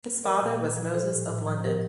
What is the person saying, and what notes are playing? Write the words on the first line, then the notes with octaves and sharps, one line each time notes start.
His father was Moses of London.
F3 A#4 D5
A#2
A#2
F3
F3 A4 C5
A2
A2
F3
F3 G4 A#4